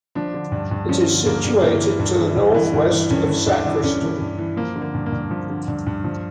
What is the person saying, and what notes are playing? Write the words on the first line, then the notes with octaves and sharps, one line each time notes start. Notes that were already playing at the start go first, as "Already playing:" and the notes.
It is situated to the north-west of Sacriston.
F3 D4
D3
G2
G2
F3 C#4
D3
G2 A#3
G2
G2 A#3
E3
G2
E3
G2
E3
G2
E3
G2 C#4
E3
G2 D4
E3
G2 C#4
E3
G2
E3
F3 A#3
D3
A#3
G2
A#3
G2
F3
D3
G2
G2
F3